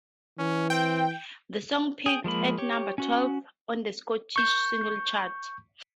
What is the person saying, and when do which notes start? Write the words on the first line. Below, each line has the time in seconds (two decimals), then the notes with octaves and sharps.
The song peaked at number twelve on the Scottish Singles Charts.
0.39 E3 C#4
0.70 C4 G5
2.06 G#4 G5
2.24 F3 G#3 A#3 B5
2.58 G4 C#5
2.98 C#4 F#4
4.36 C#6 G6